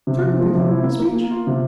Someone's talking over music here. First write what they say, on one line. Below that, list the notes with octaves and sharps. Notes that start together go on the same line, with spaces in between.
"Certainly, Lord Wisbeach."
C3
F3
F3
C3
E4
A#3
A#3
A#3
F4
C3